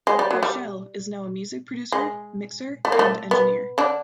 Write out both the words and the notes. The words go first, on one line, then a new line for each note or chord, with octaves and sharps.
Burchell is now a music producer, mixer, and engineer.
G#3
G3
F#3
G3
G#3
A3
A#3
A3
B3
D3 D4